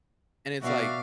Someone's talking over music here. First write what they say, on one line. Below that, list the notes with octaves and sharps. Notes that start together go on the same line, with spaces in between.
And it's like,
B2 F#4 D5 E5 F5 D6